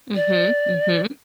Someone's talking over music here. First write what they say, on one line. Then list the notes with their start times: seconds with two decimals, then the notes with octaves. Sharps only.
Mhm, mhm.
0.15 D5